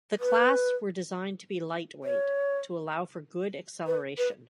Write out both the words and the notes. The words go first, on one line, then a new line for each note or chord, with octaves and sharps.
The class were designed to be lightweight to allow for good acceleration.
B4
C#5
B4
B4